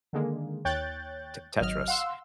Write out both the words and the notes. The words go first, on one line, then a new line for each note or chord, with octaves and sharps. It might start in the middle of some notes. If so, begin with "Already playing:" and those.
T Tetris,
D3 D#3 G#3 A#3
D#2 C#5 G5 F#6 G6 A6
G#1 F#3 D#5 F6
F5 F#5 C6 E6